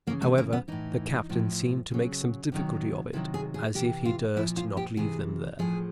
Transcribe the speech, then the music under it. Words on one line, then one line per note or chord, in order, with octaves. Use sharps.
However, the captain seemed to make some difficulty of it, as if he durst not leave them there.
C#3 E3 A#3
A3
A#3
B3
A2 E3 D#4
A2 F3
C#3 F#3
C3 D#3 F#3
C3 D#3 F#3 E4
G#4
G#4
C3 E3 G4
F4
A#2 F3 E4
F4
G4
C3 E3 G#4
A2 F3 G#4